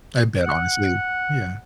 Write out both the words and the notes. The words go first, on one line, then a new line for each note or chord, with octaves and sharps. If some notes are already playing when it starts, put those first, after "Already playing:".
I bet, honestly. Yeah.
F#5